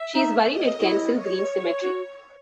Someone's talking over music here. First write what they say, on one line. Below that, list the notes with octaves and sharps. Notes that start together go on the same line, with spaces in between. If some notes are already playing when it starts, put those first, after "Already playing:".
She is buried at Kensal Green Cemetery.
Already playing: E5
D#4
D#5
E4
C#5
F#4